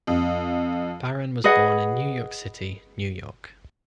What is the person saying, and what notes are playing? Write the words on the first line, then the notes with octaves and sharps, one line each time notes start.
Barron was born in New York City, New York.
F2
G#4 B4 D#5 F#5